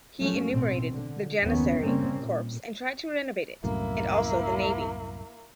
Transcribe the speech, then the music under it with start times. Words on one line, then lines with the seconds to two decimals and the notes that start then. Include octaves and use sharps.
He enumerated the Janissary corps and tried to renovate it, and also the navy.
0.19 F3 F#3 A3 C#4
0.49 A1 B2 C4
0.92 D3
1.44 F#1 D#2 D#3 B3 C#4
1.82 C#3 G3 A#3 C4 C#4
2.18 A#2
3.64 C2 F#2 A2 A#3 E4